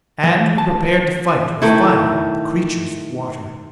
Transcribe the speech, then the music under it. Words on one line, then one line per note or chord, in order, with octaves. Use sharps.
And we prepared to fight, with fire, the creatures of water.
E3
A5
D#3 A3 E4